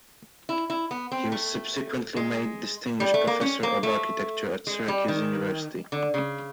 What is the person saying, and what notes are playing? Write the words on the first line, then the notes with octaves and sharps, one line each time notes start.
He was subsequently made Distinguished Professor of Architecture at Syracuse University.
E4
E4
B3
C4
A3
G#3
G3
A3
A#3
C#4
A#3
A3
G#3
G3
D#3
D3
C#3